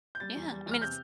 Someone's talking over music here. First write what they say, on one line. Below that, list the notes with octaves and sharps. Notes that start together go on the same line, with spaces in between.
Yeah, I mean, it's
G6
G3 A6
E2
G3
E2
F6
C3 G6